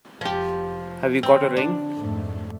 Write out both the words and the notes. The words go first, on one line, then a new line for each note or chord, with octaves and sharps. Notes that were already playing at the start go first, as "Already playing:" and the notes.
Have you got a ring?
F1 F3 G4
D3 C4
D4
F2 G#2 A3